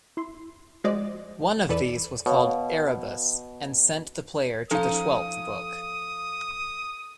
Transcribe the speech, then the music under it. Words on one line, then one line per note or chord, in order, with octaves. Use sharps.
One of these was called "Erebus" and sent the player to the twelfth book.
E4 C6
F3 G#3 F#4 C5 D5 D#5
E2 E3 A4 B4 D5 E7
B2 C#5 F5
F3 C#4 D#4 A4 F5 D#6